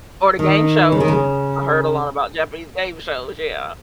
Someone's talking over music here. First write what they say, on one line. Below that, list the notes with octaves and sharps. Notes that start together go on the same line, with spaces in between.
Or the game shows. I heard a lot about Japanese game shows, yeah.
D#3
C#3
D#3
C#3